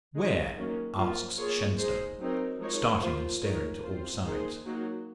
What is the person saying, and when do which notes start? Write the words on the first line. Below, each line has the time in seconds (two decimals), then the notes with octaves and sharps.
"Where?" asks Shenstone, starting and staring to all sides.
0.15 G#3 D#4 G#4 C#5
0.56 D#3 F#3 A#3 C#4
0.97 F3 A#3 F4
1.37 A#3 F4 G#4 C#5
1.79 G#3 D#4 G#4 C5
2.20 F#3 C4 D#4 A#4
2.60 F3 G#3 D#4 A#4 C#5
3.01 F3 A#3 F4 C5
3.42 G#3 D#4 A#4 C#5
3.83 C4 F4 C5
4.23 D#3 A#3 D#4 G#4 C5
4.64 F#3 A#3 D#4 F#4